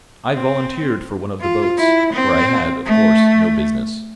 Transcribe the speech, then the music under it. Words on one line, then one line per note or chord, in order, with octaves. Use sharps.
I volunteered for one of the boats, where I had, of course, no business.
C4
F4
E4
C4
A3